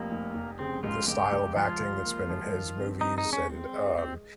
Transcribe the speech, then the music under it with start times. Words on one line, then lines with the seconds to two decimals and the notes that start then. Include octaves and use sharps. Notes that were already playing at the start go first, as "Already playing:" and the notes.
the style of acting that's been in his movies and, um,
Already playing: F1 F2 A#3
0.11 F1
0.35 F1
0.59 C#3 C4
0.83 C#2 F4
1.08 C#2 G4
1.32 C#2
1.56 F3 F4
1.80 F3
2.05 A#3
2.29 F3
2.53 D#3
2.78 C4
3.00 C4 D#4
3.18 D#4
3.25 G#3
3.33 C#4
3.49 G#3 C4
3.73 G#3
3.98 G#3 C4